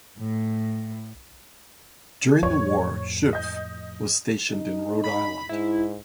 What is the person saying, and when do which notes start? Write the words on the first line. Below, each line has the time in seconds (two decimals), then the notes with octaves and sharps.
During the war Schoepff was stationed in Rhode Island.
0.19 A2
2.43 F2 A2 C#5
3.33 D#5 G6
4.50 D#4
5.04 B5
5.49 G#2 E4